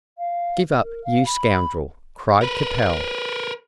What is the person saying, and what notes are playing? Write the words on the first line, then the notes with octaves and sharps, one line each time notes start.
"Give up, you scoundrel!" cried Capel.
F5
A#4
F5
B5
A#4 B4